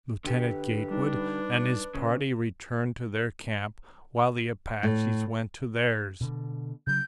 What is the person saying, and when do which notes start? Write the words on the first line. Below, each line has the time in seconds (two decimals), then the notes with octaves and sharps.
Lieutenant Gatewood and his party returned to their camp while the Apaches went to theirs.
0.25 D3 G4 B4
0.91 G3 D4 D#4
1.95 A#2 C#3
4.83 A2
6.21 B2 D3
6.87 C#3 F#3 G6